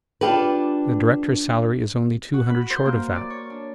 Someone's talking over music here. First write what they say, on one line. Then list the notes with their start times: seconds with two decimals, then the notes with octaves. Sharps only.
The director's salary is only two hundred short of that.
0.21 D4 F4 G4 A4 B4
2.34 F#4
2.50 B5
2.70 C5
2.86 A#3
3.16 D5
3.30 C#5
3.50 D4